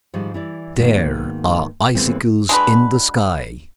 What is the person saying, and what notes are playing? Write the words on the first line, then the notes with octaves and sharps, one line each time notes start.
There are icicles in the sky.
G#2 D#3 F3 G3
E3 E4 D5
G#2 D#3 A#3 B3 F#4
D#2 A2 E3 G#3 B3 C4
G#3 D4 F#4 B4